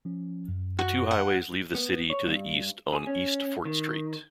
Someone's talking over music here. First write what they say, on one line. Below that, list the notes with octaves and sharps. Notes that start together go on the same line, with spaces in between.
The two highways leave the city to the east on East Fort Street.
F3 C#4
F#2
F#4
F#5
B3
C#5
G2
G#4
C#4
D#3